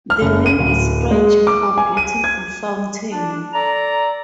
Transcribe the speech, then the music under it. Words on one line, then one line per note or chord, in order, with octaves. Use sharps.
The name is French for "beautiful fountain".
F6
F#1
D#7
D1
G#3
D6
G#5
D#7
G#6
D4
A4 D5 A#5